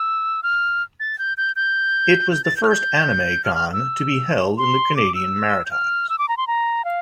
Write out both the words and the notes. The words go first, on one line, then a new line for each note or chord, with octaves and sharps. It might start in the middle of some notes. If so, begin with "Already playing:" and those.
It was the first anime con to be held in the Canadian Maritimes.
Already playing: E6
F6
A6
G6
G6
G6
G6
A6
G6
F6
G6
F6
F6
E6
C6
D6
E6
G6
F6
E6
D6
A#5
C6
A#5
F5